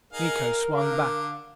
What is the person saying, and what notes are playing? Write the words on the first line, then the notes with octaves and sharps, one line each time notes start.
Miko swung back.
D#4 G#4 A#4 F5
D3 F5 D6